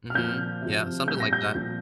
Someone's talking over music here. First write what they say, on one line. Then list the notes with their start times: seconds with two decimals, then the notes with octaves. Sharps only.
Mhm, yeah, something like that.
0.10 F6
0.14 A#2 F3 G6
0.61 C3 F3
1.08 A#2 G3 G6
1.20 A#6
1.33 G6
1.54 A#2 F3